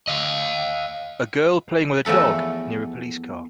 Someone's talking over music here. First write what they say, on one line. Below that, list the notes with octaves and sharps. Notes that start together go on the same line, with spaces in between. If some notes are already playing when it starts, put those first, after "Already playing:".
A girl playing with a dog near a police car.
D#5 F5
E2 F3 A3 A4 B5